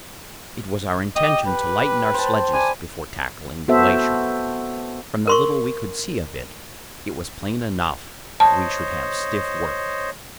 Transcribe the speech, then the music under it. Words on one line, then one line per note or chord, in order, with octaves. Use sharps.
It was our intention to lighten our sledges before tackling the glacier; from the little we could see of it, it was plain enough that we should have stiff work.
G4 D#5
B4
C5 A5
D4 G#5 B5
B3 F#4 A4 C5 E5
A#4 C6 C#6
C5 C#5 D#5 A5